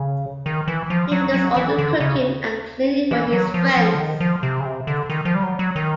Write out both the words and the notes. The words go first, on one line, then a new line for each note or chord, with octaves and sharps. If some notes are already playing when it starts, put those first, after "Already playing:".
He handles all the cooking and cleaning for his friends.
Already playing: C#3
D#3
E3
F3
F#3
F#3
E3
D3
C#3
E3
F#3
F3
F3
D3
D#3
F3
C3
C#3
C3
D3
D#3
F3
G3
F#3
F#3
D#3